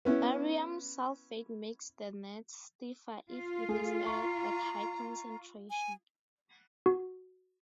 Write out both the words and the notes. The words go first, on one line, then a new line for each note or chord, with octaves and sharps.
Barium sulfate makes the nets stiffer if it is added at high concentration.
B3 C#4 E4
F4
A3 G#4
A#5 C#6
G#5
F#4